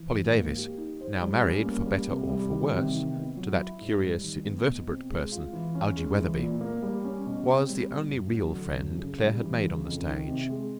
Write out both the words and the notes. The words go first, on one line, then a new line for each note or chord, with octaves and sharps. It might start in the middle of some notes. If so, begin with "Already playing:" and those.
Polly Davis, now married for better or for worse to that curious invertebrate person, Algie Wetherby, was the only real friend Claire had made on the stage.
Already playing: E3
G#2
A#3
G4
D#4
C5
G3
C#4
A#3
G3
C3
G3
D#3
C3
D#3
B3
F#3
E4
G#2
G3
D#3
B3
B2
C4
G#3
F4
E3
C#4
G#3
E3
A#2
A#3
G3
C#4
B2
C4
G3
B2
F#2
F#3
D3
F#2
C#3
G3
E3
C#3
F2
D#3
C3
G#3